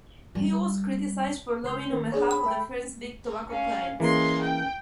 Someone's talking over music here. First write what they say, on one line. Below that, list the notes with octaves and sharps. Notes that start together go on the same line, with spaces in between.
He was criticized for lobbying on behalf of the firm's Big Tobacco clients.
G3
C#2 C6 G6
D#3 A#3 B3
D4 G#4 C#5
B5
A4 E5 G5
C#4 F5
E3 G#3 A#3 C#4 C6
G5